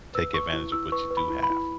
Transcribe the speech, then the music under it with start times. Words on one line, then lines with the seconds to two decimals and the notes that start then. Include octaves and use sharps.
take advantage of what you do have.
0.15 B4 E6
0.34 B4 C#6
0.53 E4
0.72 E4 E6
0.92 B4 C#6
1.11 B4
1.17 B5
1.30 E4
1.43 B5
1.50 E4